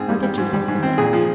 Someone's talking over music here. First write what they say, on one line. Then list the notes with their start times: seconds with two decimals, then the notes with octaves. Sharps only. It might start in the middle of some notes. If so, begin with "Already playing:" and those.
Why did you lock them in?
Already playing: G#2 C4 G#4
0.09 G3
0.23 G3
0.38 G#2
0.53 G3
0.68 G#2
0.83 C4
0.98 A#2 G#4
1.13 F3